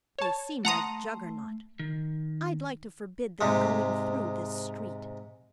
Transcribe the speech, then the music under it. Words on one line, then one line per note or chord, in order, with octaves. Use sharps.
"They seem like Juggernaut. I'd like to forbid their going through this street."
C#5 A5
A3 F#5 A5 A#5 C6 D#6
D#3
G#2 C3 G#3